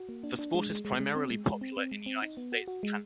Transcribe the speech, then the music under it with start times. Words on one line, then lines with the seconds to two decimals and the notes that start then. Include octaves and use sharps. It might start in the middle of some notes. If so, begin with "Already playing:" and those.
The sport is primarily popular in United States and Canada.
Already playing: F#4
0.09 A#3
0.24 D4
0.39 D4
0.54 G#3
0.70 G#3
0.85 G#3
1.00 G#3
1.15 C4
1.31 G#3
1.46 G#3
1.61 C4
1.77 C4
1.92 G#3
2.06 C4
2.22 D#4
2.37 B3
2.52 F#4
2.68 F#4
2.83 G#3